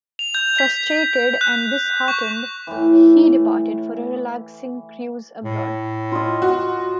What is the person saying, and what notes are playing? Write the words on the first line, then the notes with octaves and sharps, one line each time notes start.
Frustrated and disheartened, he departed for a relaxing cruise abroad.
F7
G6
B6
F#6
C#6
A2 E3
A2
F4 D#5
F#4